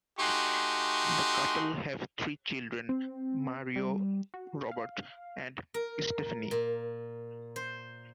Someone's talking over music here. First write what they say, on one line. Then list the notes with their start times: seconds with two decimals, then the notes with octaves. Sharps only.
The couple have three children: Mario, Robert, and Stephanie.
0.19 A3 D#4 F#4 G4 G#5 C6
2.89 C4
3.76 G3
4.34 F#4
4.71 F5
5.74 A#4
6.51 A#2
7.56 C5